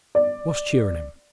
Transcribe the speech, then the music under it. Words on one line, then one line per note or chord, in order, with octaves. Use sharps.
What's cheerin' him?
D5